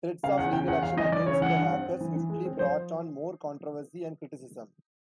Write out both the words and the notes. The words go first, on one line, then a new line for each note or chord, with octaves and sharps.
Threats of legal action against the hackers swiftly brought on more controversy and criticism.
C#3 F5
E2 F#5
C#3 G5
E2 F#5
E2 F5
E3 D#5
E3 D5
C#3 C#5
E3 F#5
G2
C4
C4
E3
E3
G#3
C4
F3 C5